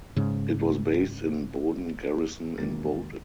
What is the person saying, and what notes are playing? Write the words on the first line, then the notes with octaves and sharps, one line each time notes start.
It was based in Boden Garrison in Boden.
G#2 C#3
E1 D#3 A#3 A6